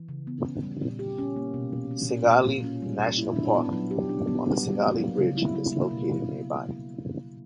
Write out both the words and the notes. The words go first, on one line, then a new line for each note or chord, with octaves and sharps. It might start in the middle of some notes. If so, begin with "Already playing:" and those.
Singalila National Park on the Singalila Ridge is located nearby.
Already playing: E3
C#3
B3
C#4
G3
A#2
G4
C#4
A#3
B2
B2
C#4
A#3
A#2
A#2
C#4
G3
A#2
E4
D4
B3
F#3
G4
D4
B3
G3
G3
A#3
F#3
C#3
E4
E4
A#3
B2